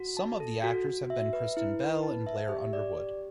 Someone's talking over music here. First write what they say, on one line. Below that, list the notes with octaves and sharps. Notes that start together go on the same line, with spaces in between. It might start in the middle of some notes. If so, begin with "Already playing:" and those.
Some of the actors have been Kristen Bell and Blair Underwood.
Already playing: F#4
A5
A4
F#4
F#4
E5
B4
E4
B4
A5
E5
G4
D5
G4